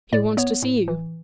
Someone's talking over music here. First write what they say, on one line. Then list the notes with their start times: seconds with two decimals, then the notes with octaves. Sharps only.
She wants to see you.
0.13 A2 D5
0.37 B3 C#5
0.62 A2
0.88 E3